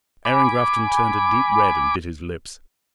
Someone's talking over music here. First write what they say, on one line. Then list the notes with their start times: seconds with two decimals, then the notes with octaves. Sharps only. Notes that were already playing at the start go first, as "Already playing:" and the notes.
Aaron Grafton turned a deep red and bit his lips.
0.25 G#5 B5 D6